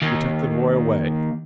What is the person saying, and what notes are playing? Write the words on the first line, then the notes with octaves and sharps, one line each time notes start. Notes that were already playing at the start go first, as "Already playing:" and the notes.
We took the boy away.
D#2